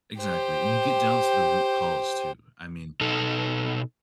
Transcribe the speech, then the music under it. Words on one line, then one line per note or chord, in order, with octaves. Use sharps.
Exactly, and you get down to the root cause too. I mean,
G4 C5
B2 D#4 A4